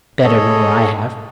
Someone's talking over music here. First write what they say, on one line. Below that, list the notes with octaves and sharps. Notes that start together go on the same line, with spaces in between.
Better nor I have.
G#4 A4 C#5 D#5